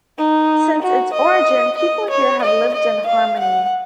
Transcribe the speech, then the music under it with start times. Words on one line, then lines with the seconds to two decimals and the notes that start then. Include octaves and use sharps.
Since its origin, people here have lived in harmony.
0.18 D#4
0.82 F#4
1.13 D#5
1.78 D#5
2.10 C#5
2.42 D#5
2.74 D#5
3.07 F5
3.39 F#5